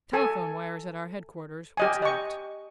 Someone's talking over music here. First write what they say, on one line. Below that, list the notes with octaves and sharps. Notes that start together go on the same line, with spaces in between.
Telephone wires at our headquarters were tapped.
A4 G#5
G4 D#5 G#5
D#5 C#6